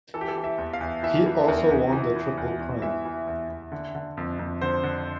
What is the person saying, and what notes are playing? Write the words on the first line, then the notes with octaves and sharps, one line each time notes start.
He also won the Triple Crown.
E3 A4
G4
A4
E3
E5
E2
F5
E2
E3 E5
E3
E2
E2
E3
E3
E2
E2
E3 E5
E3
E2
E2
D3
D3
F2
F2
D3 C5
D3